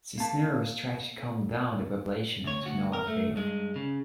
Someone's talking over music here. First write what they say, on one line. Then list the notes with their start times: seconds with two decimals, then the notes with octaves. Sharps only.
Cisneros tried to calm down the population, to no avail.
0.18 A#3 A5
2.44 D2 C#5
2.63 D2 F#4
2.93 A#4
3.07 A3
3.36 G2 G#3
3.76 C#3